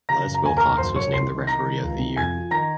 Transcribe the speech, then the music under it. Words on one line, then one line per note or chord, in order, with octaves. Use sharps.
Les Wilcox was named the Referee of the Year.
C#3 A#5 A#6
F#2
A#5
D#2 G#5
D#2 A#4 A#5
F#2 C5 C6
F#2 C#5 C#6
C2 C6 C7
D#3
D#3 A#5 A#6
D#3
C#2
C3
F2 G#5 G#6
F3
D#3 A#5 A#6